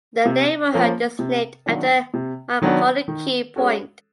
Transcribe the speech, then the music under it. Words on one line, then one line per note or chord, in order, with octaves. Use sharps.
The neighborhood is named after Makonikey point.
C3
F3 A#3 C#4
C3
D#3 F#3 B3 D4
C3
D#3 F#3 B3 D4
D#3
G#3 C#4 F#4 A4